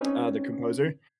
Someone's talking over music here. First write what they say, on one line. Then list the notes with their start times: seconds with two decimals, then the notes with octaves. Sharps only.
uh, the composer.
0.01 C4 C#4 D#4 B4 C#5